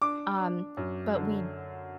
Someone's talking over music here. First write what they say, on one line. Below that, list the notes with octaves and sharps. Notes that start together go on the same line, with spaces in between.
um, but we
D4 D6
D4
F#2
D3